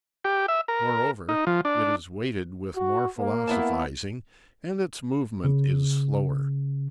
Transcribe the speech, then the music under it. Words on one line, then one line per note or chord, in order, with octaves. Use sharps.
Moreover, it is weighted with more philosophizing, and its movement is slower.
G4
E5
A#4
D#4
F3
D4
F#4
A#3
B3 E4 A5
C#3